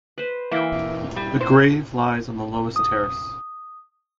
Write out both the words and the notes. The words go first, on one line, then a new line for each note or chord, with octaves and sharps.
The grave lies on the lowest terrace.
B4 C5
E3 A#3 E4 G5
G3
A#2 C5
D#6